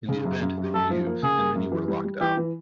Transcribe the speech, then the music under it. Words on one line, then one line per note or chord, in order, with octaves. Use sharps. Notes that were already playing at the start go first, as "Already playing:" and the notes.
In the event they were used and many were locked out.
C#3
F#2
F#2
F#2
F#2 A4
F3
A#3
C#3 G#4
A#3
F#2
E3
G3
G3
E3 G4
E3